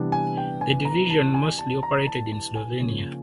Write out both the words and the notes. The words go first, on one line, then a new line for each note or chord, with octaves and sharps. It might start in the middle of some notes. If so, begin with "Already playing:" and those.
The division mostly operated in Slovenia.
Already playing: C3 E3 G3 B3 D4
G#5
G5
G#5
A#5
A5
G#5
A5
A#5
A5
A5
G#5
C#3 F3 A#3